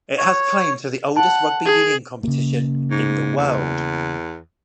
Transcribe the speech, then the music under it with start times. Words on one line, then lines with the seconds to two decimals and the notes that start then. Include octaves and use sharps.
It has claim to the oldest rugby union competition in the world.
0.18 C#5
1.17 F#5 A5
1.65 G#4
2.23 C#3 A#3
2.91 G#2
3.37 E2